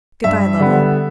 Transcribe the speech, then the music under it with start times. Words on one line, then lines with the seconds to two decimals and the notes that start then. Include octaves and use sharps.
Good-bye, Lovell.
0.24 G2 E5
0.59 D3 G3 B3